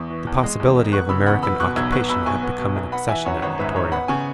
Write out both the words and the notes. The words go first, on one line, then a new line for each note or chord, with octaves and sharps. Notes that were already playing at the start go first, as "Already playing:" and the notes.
The possibility of American occupation had become an obsession at Victoria.
Already playing: E2 C#6
E3
E2
G#3
E2
E1
B3 C#6 F#6
C#3 B5 E6
E2 F#5 B5
B3 B5 E6
B2 C#6 F#6
B1 E6 G#6
B3 C#6 F#6
B2 B5 E6
B1 G#5 C#6
B3
B2
B1
B3 F#5 B5
E3 E5 G#5
F#2 C#5 F#5
G#1 C#5 F#5
G#2 B4 E5
G#1 C#5
B3 F#5 B5
C#3 G#5 C#6